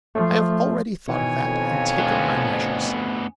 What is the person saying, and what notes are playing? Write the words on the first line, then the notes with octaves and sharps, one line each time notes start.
I have already thought of that, and taken my measures.
F3 A3
B2 D#3 E3 C#5 G#5
F2
D2 B3